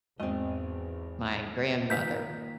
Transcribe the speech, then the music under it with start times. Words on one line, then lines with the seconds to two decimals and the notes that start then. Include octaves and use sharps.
my grandmother
0.20 G#1 E2 C4 D#5
1.90 D#3 A#3 F4 B4 G6 B6